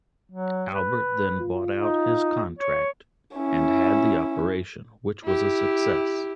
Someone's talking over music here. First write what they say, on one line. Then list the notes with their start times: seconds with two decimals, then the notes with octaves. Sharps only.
Albert then bought out his contract and had the operation, which was a success.
0.31 F#3
0.72 B4
1.40 F4
1.76 D#4
2.59 C#5
3.37 C#4 E4
5.23 E4 G4